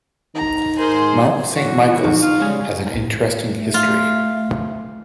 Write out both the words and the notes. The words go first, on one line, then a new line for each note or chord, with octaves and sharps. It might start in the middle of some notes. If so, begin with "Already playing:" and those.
Mount Saint Michael's has an interesting history.
D#3 A#5
G#2 G#4 A#4 C5 C6
A2 E3 F#4 C#5
F4
A#2 D3 F3 D#4
F4 F5
C#3 G3 G#3 G#5
A3
F4